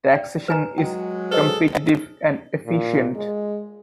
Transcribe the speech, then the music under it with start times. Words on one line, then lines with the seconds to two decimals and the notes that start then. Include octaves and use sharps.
Taxation is competitive and efficient.
0.12 D5 G5
0.48 B4 G#5 A#5
0.78 F#3 G#3 G5
1.31 G#4 A4 B4 C5 D#5
2.66 A#2
3.16 G#3